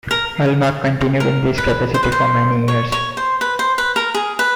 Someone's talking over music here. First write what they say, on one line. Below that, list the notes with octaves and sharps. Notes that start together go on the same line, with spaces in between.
Alma continued in this capacity for many years.
A#4
A#4
B4
C5
B4
C5
C#5
C#5
C5
B4
C5
B4
A#4
G#4
B4